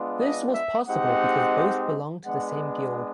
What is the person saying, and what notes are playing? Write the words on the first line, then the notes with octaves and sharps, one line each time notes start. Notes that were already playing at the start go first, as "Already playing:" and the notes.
This was possible because both belonged to the same guild.
Already playing: G#3 B3 D4 F4
D#5
E5
G#3 C4 D#4 G4 F#5
G#3 B3 D4 F#5